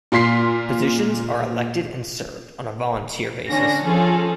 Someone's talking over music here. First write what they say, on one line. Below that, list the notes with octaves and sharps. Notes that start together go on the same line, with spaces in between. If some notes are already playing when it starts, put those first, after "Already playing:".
Positions are elected and served on a volunteer basis.
A#2 F4 C6 B6 C7
D3 C#4 D4 A#6
F3 C#4 F4 G#4 A4